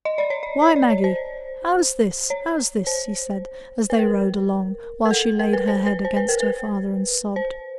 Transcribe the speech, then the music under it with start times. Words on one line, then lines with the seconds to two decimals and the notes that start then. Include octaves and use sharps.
"Why, Maggie, how's this, how's this?" he said, as they rode along, while she laid her head against her father and sobbed.
0.05 D#5
0.18 D5
0.30 C#5
0.43 D5
0.62 C#5
0.76 D5
0.90 C#5
1.04 C5
2.30 C#5
2.87 C5
3.90 B4
3.99 A#4
5.05 A#4
5.11 A4
5.39 A#4
5.53 B4
5.68 C5
5.86 B4
6.05 C5
6.16 B4
6.29 A#4
6.40 B4
7.36 C5